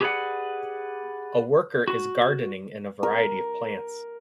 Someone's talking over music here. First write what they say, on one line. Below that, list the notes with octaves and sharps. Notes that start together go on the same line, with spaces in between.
A worker is gardening in a variety of plants.
G4 G#4 B4 C#5 D5 F#5
F#4
A#4